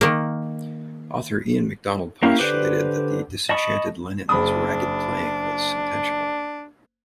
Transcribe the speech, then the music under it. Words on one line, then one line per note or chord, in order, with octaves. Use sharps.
Author Ian MacDonald postulated that the disenchanted Lennon's ragged playing was intentional.
D#3 A#3
A#3 C#4 E4 G4 F5
D3 G4 B4 C5 D6
D#5 A5 B5 C#6 D#6
F#1 D4 B5 D#6